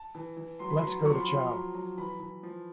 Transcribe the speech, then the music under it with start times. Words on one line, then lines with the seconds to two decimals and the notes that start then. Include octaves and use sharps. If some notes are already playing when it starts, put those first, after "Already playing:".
Let's go to chow.
Already playing: A5
0.15 E3
0.37 E3
0.59 F#3 C6
0.70 B5
0.81 F#3 C6
1.06 F3 C#6
1.14 C6
1.20 B5
1.29 F3 C6
1.51 F#3
1.74 F#3
1.97 E3 B5
2.20 E3
2.43 F3